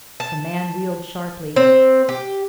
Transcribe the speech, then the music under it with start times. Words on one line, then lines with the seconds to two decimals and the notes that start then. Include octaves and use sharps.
The man wheeled sharply.
0.20 A5
1.56 C4
2.09 G4